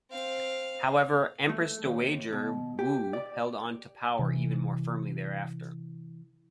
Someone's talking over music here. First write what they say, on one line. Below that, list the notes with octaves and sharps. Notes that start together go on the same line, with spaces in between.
However, Empress Dowager Wu held onto power even more firmly thereafter.
C4 F5
A3
D#2
B2
G4
D5
C3 E3